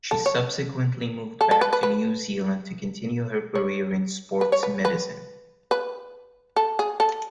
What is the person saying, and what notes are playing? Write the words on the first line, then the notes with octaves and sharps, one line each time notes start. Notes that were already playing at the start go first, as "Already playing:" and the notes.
She subsequently moved back to New Zealand to continue her career in sports medicine.
A4
C#5
A4
A4
B4
B4
B4
C#5
B4
C#5
B4
B4
B4
A4
G#4
A4